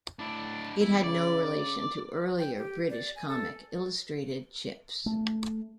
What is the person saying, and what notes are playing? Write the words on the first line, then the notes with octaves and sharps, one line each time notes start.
It had no relation to earlier British comic "Illustrated Chips".
A2 D4 E4
E2 E4
C#3 D5
G5
G4
D5
G#5
A4
A3